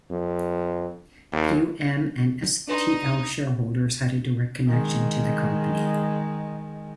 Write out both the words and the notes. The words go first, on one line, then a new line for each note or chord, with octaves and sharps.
Few M and StL shareholders had a direct connection to the company.
F2
D#2
D4 D#4 B4 D#5 C6
D#3 G#3